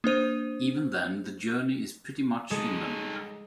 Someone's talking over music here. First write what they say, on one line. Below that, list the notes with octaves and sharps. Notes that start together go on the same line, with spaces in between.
Even then the journey is pretty much inland.
A#3 D4 C5 D#7
G#3 D#4 A4